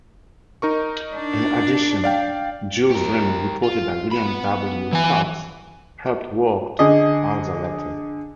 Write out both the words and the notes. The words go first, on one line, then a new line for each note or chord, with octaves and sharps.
In addition, Jules Remy reported that William W. Phelps helped work out the letters.
D#4 A#4 C#6
D4
D5 F5 G5
G4 A#4
F4
B3 B5
E3 G#5
D3 G#4 D#5